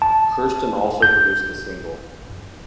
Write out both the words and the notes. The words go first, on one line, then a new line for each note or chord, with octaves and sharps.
Kurstin also produced the single.
A5
G6